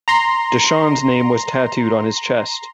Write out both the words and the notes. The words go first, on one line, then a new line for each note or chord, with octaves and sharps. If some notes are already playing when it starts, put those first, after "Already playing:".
DeShawn's name was tattooed on his chest.
A#5 C6